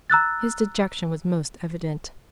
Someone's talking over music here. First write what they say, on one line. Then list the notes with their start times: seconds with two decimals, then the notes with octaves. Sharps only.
His dejection was most evident.
0.10 A#5 E6 F#6 A6